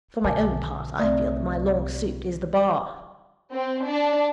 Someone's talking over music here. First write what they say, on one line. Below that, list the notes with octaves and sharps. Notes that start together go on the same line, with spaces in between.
For my own part, I feel that my long suit is the Bar.
B1 D3 A#4 G#5 A5 D6
C2 A3 C4 D5 E5 D#6
C4
D4